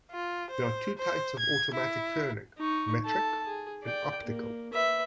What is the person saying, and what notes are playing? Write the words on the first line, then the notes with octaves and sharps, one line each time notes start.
There are two types of automatic kerning: "metric" and "optical".
F4
C5
C5
G#6
E4
D#4 C#6
A4 A5
G#4
D5 G5
A#3
B4 E5